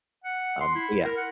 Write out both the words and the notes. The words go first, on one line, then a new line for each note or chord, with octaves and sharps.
um, but yeah,
F#5
C6
E4
A#4
F#5